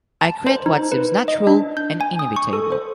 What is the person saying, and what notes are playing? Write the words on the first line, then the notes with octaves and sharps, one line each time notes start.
I create what seems natural and inevitable.
A5
C5
D#4
B4
D#5
D4
G6
G#5
D#6
C#6
A4
C5